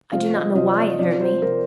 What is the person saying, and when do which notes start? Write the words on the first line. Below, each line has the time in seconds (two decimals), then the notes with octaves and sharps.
I do not know why it hurt me.
0.12 C3 F3 C4 F5
0.33 D#5
0.55 C3 F3 C4 D#5
0.68 D5
0.77 D#5
0.89 D#5
0.99 C3 F3 C4 D5
1.21 C5
1.42 C3 F3 C4 A#4